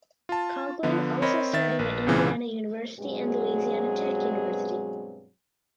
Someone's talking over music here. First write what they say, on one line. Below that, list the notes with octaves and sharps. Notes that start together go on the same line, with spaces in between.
Conkling also studied at Indiana University and Louisiana Tech University.
F4 A5
D3 F3 B3
C4 A#4 C#5 D#5 B5
D#3 E5 A6
A#1 B4
C2 A#2 C#3 E3 G#3 C4
G2 B2 F#3 G#3 C4 G#4